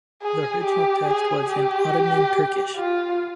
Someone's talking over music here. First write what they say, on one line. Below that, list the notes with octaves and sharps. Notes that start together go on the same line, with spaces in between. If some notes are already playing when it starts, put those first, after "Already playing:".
The original text was in Ottoman Turkish.
G#4
G4
G#4
G4
F4